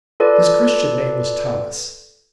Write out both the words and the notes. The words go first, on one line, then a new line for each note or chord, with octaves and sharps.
His Christian name was Thomas.
F4 A4 B4 D5